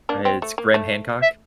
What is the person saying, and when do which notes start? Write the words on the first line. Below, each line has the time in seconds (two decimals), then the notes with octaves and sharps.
Uh, it's Graham Hancock?
0.09 A#3 D4
0.25 C4
0.42 A3
0.58 A#3
0.74 A3
1.22 E5